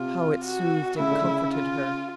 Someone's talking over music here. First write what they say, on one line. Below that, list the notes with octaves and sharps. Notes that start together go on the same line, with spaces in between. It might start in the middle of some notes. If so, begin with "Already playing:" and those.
How it soothed and comforted her.
Already playing: C3 F4
F#4
C#3 E4
D3
C#3
F4